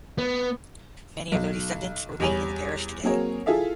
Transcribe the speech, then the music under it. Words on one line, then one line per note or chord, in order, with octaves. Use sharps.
Many of their descendants remain in the parish today.
B3
B1
E2 G3 C#5 G#5 F7
F#3 A#3 C4 G#4 A#4 C#5
E4 F4 G#4 A4 E5 F5